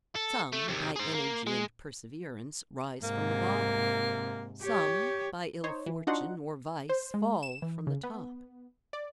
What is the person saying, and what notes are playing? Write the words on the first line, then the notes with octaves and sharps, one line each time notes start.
Some, by energy and perseverance, rise from the bottom; some, by ill fortune or vice, fall from the top.
A4
A3
D#2 C3
G#4 C5
A#3
G#3
G#2 C3 A#3
G4 C#5
D#4 C5 C#5
E3
D4 D#4 F4 F#4 C5 F#5
C5
G#3
E7
E3
C#3
B3
D5